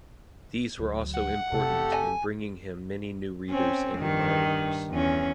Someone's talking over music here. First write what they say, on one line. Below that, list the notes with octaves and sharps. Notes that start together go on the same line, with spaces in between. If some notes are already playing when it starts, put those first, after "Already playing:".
These were also important in bringing him many new readers and admirers.
D2 F#3
F#5
F1 C3 A3 G4 A4
G#5
C4 C#4
G2 D#3
E2 C#4